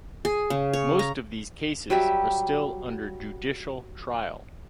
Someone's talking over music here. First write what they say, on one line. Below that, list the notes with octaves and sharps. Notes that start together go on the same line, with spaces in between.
Most of these cases are still under judicial trial.
G#4
C#3
C#5
A#5
F#3 G3 G4 E5